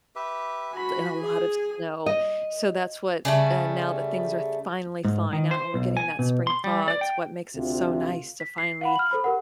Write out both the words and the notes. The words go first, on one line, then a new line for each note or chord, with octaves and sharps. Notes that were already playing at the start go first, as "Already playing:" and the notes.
and a lot of snow, so that's what, uh now that things are th finally thawing out and we're getting that spring thaw, it's what makes it so nice to finally,
G4 B4 E5
F#4 G#5 B5
G#4
D#5
C#3 G3 A3
G#2
D#3
C5
B1
G#5
B2
C6
G3
D5
G5
D2 C3 F4
B6
C7
F5 F#5 B5
F6 F#7
A4 C5 B5
G4 A#4 F#5